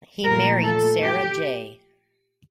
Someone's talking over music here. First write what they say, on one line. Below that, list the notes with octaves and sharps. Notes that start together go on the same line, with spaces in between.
He married Sara J.
A#2 F3 A3 A#4
A4
G4